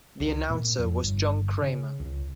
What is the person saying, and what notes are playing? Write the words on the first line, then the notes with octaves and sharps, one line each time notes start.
The announcer was John Cramer.
C#2
A#2
F2
G1
C#3
C#2